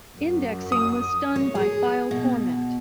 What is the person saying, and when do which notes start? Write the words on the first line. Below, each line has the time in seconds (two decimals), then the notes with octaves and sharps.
Indexing was done by file format.
0.18 F#2
0.72 D#6
1.36 C#5
1.55 G#4
2.11 B2